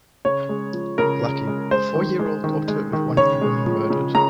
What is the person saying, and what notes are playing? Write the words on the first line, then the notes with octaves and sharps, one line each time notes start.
Glaki- The four-year-old daughter of one of the women murdered.
C#3 C#5
G#3
F3
C#3 A#4
C#3
G#3
G#3 C5
D#3
G#3
D#3
G#3
D#3
C#3 C#5
G#3
F3
C#3
C#3 A#5